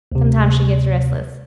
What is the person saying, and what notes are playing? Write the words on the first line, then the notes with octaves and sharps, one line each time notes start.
Sometimes she gets restless.
D2 C3